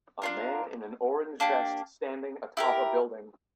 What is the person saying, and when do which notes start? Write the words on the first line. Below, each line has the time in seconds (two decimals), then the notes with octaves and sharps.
A man in an orange vest standing atop a building.
0.22 D4 F4 A#4
1.40 A#3 D4 G4
2.57 E4 G4 A#4